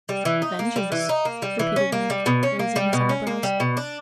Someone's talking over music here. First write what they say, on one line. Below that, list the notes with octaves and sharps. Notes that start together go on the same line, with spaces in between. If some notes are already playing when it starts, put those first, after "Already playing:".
"Vengeance!" repeated Link, raising his eyebrows.
G3
E3
D#4
A#3
G3
E3
D#4
A#3
G3
E3
C#4
A#3
G3
B2
C#4
A#3
G3
B2
C#4
A#3
G3
B2
D4